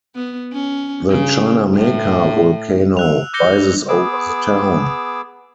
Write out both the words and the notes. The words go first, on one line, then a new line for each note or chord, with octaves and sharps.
The Chinameca Volcano rises over the town.
B3
C#4
C#3
A2
E6 F#6 F7
D6 G6 A#6 C#7 G7
B3 G#4 D6 E6